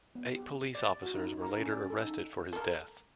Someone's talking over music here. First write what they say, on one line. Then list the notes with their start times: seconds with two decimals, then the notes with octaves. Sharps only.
Eight police officers were later arrested for his death.
0.15 B3
0.35 G4
0.75 D5
1.03 F#4
1.14 D#4
1.41 A#4
1.58 C#4
1.72 D5
1.90 A4
2.04 D#4
2.53 A4 A#4